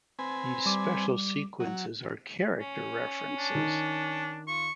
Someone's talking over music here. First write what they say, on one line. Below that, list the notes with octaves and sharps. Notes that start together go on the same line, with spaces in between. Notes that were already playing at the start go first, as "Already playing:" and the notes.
These special sequences are "character references".
C4 B4 G#5
G3 D6
F#3
C#4
D4
D#3
F4 C#6